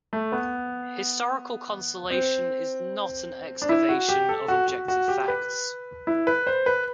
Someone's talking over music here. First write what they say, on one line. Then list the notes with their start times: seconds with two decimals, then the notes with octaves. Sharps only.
Historical conciliation is not an excavation of objective facts.
0.13 A3
0.32 B3
2.10 C4
3.62 D4
3.69 E4
3.89 F#4
4.09 G4
4.29 A4
4.48 F#4
4.68 F#4
4.88 F#4
5.08 G4
5.28 B4
6.07 E4
6.27 B4
6.47 C5
6.66 B4